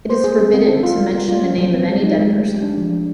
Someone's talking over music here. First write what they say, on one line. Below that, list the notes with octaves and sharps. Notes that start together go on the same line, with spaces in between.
It is forbidden to mention the name of any dead person.
C5
G#4
C4
C4
A4
F4
G3
A#3
F4
C#4
F#3
C4
G#3
D#4
G#3
A3
G4
D4
F3
D4